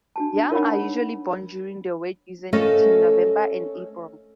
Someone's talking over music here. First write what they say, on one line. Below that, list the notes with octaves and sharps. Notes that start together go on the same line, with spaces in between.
Young are usually born during the wet season, between November and April.
D4 F#4 A5
D#4 A#4 C#5 F#5 B5
A3 C#4 A4 A#4 D#5 F5